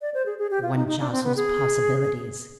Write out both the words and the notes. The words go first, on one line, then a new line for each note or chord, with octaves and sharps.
One jostles possibilities.
D5
C5
G#4
G#4
G4
F4
D#4
D#4
D4
C4
B3
G#4